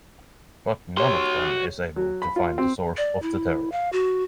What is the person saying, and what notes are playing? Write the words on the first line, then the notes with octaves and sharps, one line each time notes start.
But none of them is able to find the source of the terror.
F#4 G4 C#5 C6
F#3
B5
F4
C4
D5
E4
F5
F#4